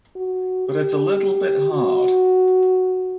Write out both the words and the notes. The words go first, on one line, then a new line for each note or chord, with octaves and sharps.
But it's a little bit hard.
F#4
G4
F#4